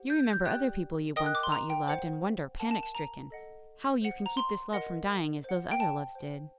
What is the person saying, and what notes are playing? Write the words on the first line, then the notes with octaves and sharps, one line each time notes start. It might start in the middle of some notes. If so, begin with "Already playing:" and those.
You remember other people you once thought you loved, and wonder, panic-stricken, how you can keep this love from dying as those other loves did.
Already playing: G4 C5 F#5
G6
G6
G4 D5 G5 F#6
A#4 D#5 G5 D#6
F#6
D6
C6
A#5
G5
C5 F#5
A#4 F#5 A5
A5
A5
A#5
A4 D#5 F#5
C5 F#5
A#5
C6
A#4 D#5 F#5
C5 F#5
G5
A5
C5 G5